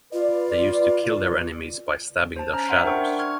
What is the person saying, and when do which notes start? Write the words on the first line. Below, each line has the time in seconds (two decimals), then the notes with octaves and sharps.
They used to kill their enemies by stabbing their shadows.
0.13 F4 B4 D5
2.36 C5 A5
2.53 C#4 A#5 F6
2.69 C5 E5 F#5 C6
2.85 D4 A#4 F#5 G5 C#6
3.01 D4
3.19 C#6 F6 G#6